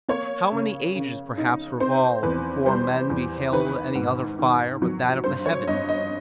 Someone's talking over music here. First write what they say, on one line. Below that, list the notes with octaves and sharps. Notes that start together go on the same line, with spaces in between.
How many ages perhaps revolved, before men beheld any other fire but that of the heavens?
A#3 C#5
C#3
C#3
D#4
C4 C5
E2 B4
G3 C5
E2
D#3 B4
G#2
D#3
F#3
G2 C5
C#5
G2 D#5
D#5